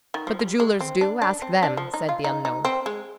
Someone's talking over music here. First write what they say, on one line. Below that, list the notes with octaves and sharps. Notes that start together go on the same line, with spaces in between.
"But the jewelers do: ask them," said the unknown.
D#3
F3
G3
G#3
C4
D4
D4
C4
D4
F3
D#4
F4
D#4
D#4
C4
G#3